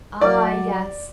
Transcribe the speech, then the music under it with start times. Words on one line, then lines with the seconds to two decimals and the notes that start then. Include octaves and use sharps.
Ah, yes.
0.21 F#3 D5